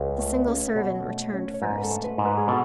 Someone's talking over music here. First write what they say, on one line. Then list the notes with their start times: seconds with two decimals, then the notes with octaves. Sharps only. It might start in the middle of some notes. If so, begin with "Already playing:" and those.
The single servant returned first.
Already playing: C#2
0.19 A3
0.48 C#4
0.76 B2 C#5
1.05 A3
1.34 C#4
1.54 C#5
1.62 G#2 B4
1.78 B4
1.83 A4
1.91 A3
2.04 B4
2.18 G#2
2.25 B4
2.38 G#4
2.48 B2 A4